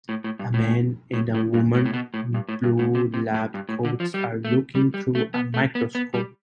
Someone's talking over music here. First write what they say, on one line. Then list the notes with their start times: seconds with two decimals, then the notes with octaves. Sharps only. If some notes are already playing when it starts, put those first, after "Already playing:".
A man and a woman in blue lab coats are looking through a microscope.
0.09 A2
0.24 A2
0.39 G2
0.54 A2
1.13 A2
1.35 A2
1.54 G2
1.74 A2
1.86 A2
1.93 B2
2.14 A2
2.34 G2
2.49 A2
2.64 G2
2.79 A2
2.95 C3
3.14 C3
3.34 A2
3.54 G2
3.69 A2
3.85 D3
4.00 F3
4.14 G3
4.45 A3
4.75 G3
4.94 G3
5.15 A3
5.34 B3
5.54 A3
5.75 B3
5.95 B3
6.14 G3